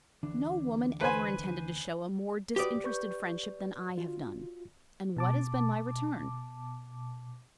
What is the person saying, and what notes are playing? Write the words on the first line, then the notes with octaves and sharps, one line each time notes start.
"No woman ever intended to show a more disinterested friendship than I have done; and what has been my return?"
D2 E3 D4
B4 C5 G#5
F#4 G4 B4 D5 D#6
B4 C#6 G6
F4 F#4
B2 A5 D6